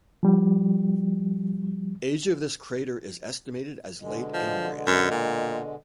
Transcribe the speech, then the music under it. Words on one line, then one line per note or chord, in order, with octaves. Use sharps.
Age of this crater is estimated as Late Imbrian.
F3 G3
B2 D3 G#3
F3
F#2
A#2